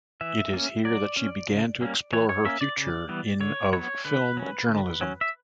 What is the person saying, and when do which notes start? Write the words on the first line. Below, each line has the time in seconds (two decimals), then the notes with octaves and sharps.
It is here that she began to explore her future in of film journalism.
0.21 E3 E5
0.53 A#3 C#4
0.85 F#3 D5
1.17 C#4
1.49 C#3
1.81 G3 A#3 C#4
2.13 E3 C#5
2.29 C#5
2.45 A#3 C#4 E5
2.61 D5
2.77 C#3
3.09 E3 G3 B3
3.41 D3 C#5
3.73 F#3 B3 C#5
4.05 D3 B4
4.37 F#3 C#4
4.69 D3
5.01 F#3 C#4
5.21 E5